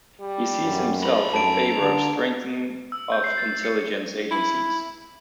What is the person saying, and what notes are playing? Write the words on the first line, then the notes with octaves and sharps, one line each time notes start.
He sees himself in favour of strengthening of intelligence agencies.
G3
F#2
A4 A#5 B5
F#2 A5 D7
D3
E6
G6
C7
A6
C#7
E4